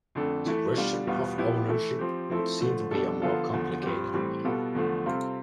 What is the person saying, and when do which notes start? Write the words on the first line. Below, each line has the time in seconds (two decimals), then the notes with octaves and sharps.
The question of ownership would seem to be a more complicated one.
0.15 F2 D3 A3 D4 A4
0.46 E3 A3 E4 A4
0.77 B2 G3 D4 F4
1.07 E2 B2 G3 B3 F4
1.38 F3 B3 E4 G4
1.68 E3 A3 E4 A4
1.99 F3 C4 G4
2.30 F3 A3 C4 E4 A4
2.60 D3 F3 A3
2.91 B2 G3 D4 A4
3.22 D3 F3 B3 F4 A4
3.53 E2 D3 F3
3.83 G2 F3 C4 G4
4.14 A2 E3 G3 C4
4.44 B2 G3 B3 F4 A4
4.75 E2 D3 F3 A3
5.06 C3 G3 C4 F4 A4